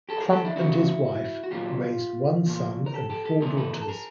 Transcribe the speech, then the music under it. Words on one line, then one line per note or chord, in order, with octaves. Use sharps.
Crump and his wife raised one son and four daughters.
G4 A4
G#4 A#4
G4 A4
D4 E4
D2 C#3 F#3 A#3 E4 F#4
F#4
A#2 F#3 A#3 F4 G4
A#2 F3 A#3
A#4
G4 A4
G4 A4
G4 A4
E2 C3 E3 A3 G#4 A#4
A4 B4
A#4
A4
G#4 A#4